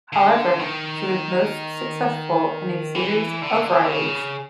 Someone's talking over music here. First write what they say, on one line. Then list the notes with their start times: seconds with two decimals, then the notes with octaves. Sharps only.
However, she was most successful in a series of Rileys.
0.13 D3
0.59 D#3
2.95 E3
3.42 D3
3.89 C#3